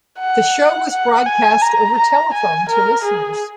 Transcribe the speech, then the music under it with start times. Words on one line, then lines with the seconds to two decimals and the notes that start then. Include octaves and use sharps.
The show was broadcast over telephone to listeners.
0.20 F#5
0.91 F#5
1.26 G#5
1.62 A#5
1.98 A#5
2.33 G#5
2.69 A#4
3.05 G#4